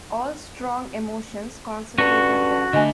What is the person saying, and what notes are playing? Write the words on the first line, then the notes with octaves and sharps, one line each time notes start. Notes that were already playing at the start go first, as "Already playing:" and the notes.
All strong emotions concentrated there.
G2 C#4 F#4 A4
D3 A3 D#5 G#5